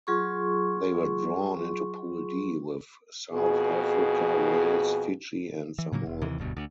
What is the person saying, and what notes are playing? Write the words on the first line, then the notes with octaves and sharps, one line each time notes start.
They were drawn into Pool D, with South Africa, Wales, Fiji and Samoa.
F#3 F4 G#4 C6 C#6
F2 B2 G#4
E3
A2 C#3 F#3 A#3
F1
D#2 C3 E3
E1 D2 G2 B2
D2